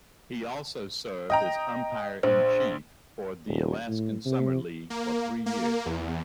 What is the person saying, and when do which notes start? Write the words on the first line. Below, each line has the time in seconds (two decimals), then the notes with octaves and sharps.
He also served as umpire-in-chief for the Alaskan summer league for three years.
1.30 D#5 G5 A#5
2.23 A#1 C5
3.48 D#1
3.88 A2
4.26 C3
4.90 A#3
5.46 A#3
5.86 E2